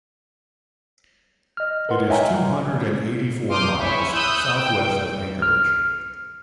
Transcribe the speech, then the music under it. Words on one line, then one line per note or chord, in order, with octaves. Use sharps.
It is two hundred and eighty-four miles southwest of Anchorage.
D#5 F6
A#4 B4 F#5 C6
C#5 D#5 E5 G5 G#5 A#5
C6 D6 D#6 F6 G6
E4 C#5 E5 G#5 C#6
D#6 E6 F#6 G6
G5
F6